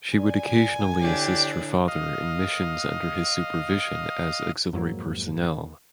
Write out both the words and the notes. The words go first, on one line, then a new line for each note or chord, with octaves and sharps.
She would occasionally assist her father in missions under his supervision as auxiliary personnel.
D5 G#5
D3 D4 E4 G4 C#5
D#5 F5
F2 G#2 F#3 A#3